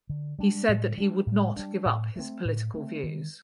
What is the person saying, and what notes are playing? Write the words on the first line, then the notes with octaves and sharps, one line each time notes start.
He said that he would not give up his political views.
D3
G3 D4
A2
G3 D4
A2
G3 D4
A2
A3 C4
A2
A3 C4
D#3